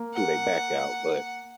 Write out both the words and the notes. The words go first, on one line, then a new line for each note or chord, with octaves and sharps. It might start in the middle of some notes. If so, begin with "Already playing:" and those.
threw they back out, but,
Already playing: A#3
F#5